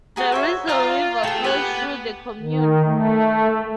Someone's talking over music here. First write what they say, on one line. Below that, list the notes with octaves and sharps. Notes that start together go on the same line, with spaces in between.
The Risle river flows through the commune.
F#4 G#4 A#5
C5 C#5 E5
F4 D5 A#5 D#6
A3 G#4 G5
G4 B4 F#5 G#5
D#3
A3